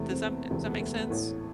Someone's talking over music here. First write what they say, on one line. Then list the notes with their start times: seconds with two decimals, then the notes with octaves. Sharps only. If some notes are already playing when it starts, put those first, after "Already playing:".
Does that does that make sense?
Already playing: E1 E2 C3 A3
0.11 C4
0.21 B3
0.50 E1 D2 C3 E3 A3
0.65 B3
0.80 A3
0.95 B3
1.10 A1 A2 E3 A3